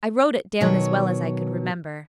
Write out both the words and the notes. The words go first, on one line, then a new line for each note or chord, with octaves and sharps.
I wrote it down as well as I could remember.
B2 D#3 F#3 C#5